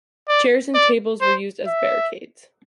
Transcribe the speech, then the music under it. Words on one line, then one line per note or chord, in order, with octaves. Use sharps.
Chairs and tables were used as barricades.
D5
D5
C5
E5